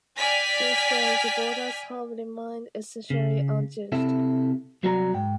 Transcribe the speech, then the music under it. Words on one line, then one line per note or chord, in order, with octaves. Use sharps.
Since then, the borders have remained essentially unchanged.
D5 G5 G#5 F6 B6
C#3
C3 E4 A4
C2 F#3 F#4 B4 D5 A#5
G#2 G5